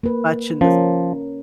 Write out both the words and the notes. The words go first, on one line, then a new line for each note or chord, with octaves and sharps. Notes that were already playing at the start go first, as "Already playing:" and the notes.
much in this
A#3 B4
F3 C#4 A#4